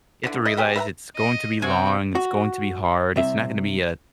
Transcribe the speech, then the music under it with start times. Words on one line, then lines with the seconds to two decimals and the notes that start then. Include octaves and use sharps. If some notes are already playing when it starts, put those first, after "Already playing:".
You have to realize it's going to be long, it's going to be hard, it's not gonna be, uh,
0.24 D3 B3 E4
0.45 E4 D#5
0.57 B3 G4 G#4
0.76 B4 E5 F#5 A#5
1.17 D#5
1.62 C3 F#4 G5 G#5
2.15 F#4
3.16 C2 C3 E5